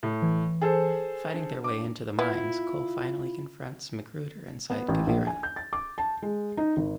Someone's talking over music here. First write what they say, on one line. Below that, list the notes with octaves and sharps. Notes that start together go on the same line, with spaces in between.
Fighting their way into the mines, Cole finally confronts Magruder inside Quivira.
A2
E3
G#4 A4 C5
D4
D6
B3 E4 F4
B3
A1
A#1
G#5
G6
A6
D6
A5
G#3
D#4
G#1